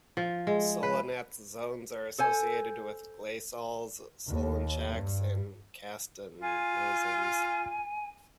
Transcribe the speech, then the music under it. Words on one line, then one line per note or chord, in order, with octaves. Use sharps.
Solonetz zones are associated with gleysols, solonchaks and kastanozems.
F3
G#3
B4
A4 C5 G#5
D#2
G2
F4 G#5